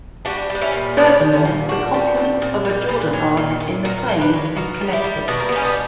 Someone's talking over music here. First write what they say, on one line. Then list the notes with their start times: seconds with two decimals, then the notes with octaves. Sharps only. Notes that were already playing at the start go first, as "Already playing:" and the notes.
Furthermore, the complement of a Jordan arc in the plane is connected.
0.25 G3 D4 F#4
0.50 G3
0.55 D4
0.62 C#4 E4
0.73 A#2
0.97 G3 B3 D4
1.22 G3
1.33 C#4 E4
1.45 A#2
1.69 A#2 D4 F#4
1.94 G3
2.17 A#2
2.42 A#2
2.65 G3
2.89 A#2
3.13 F#3
3.37 A#2
3.60 A#2
3.85 A#2 F#4 A#4
4.08 A#2
4.21 G4 B4
4.33 F#3
4.45 B4
4.56 B2 F#4 A#4
4.81 G3
4.92 E4 G4
5.04 G3
5.28 B2 D4 F#4
5.40 A#3
5.49 B3
5.52 G3 C#4
5.65 B3 D4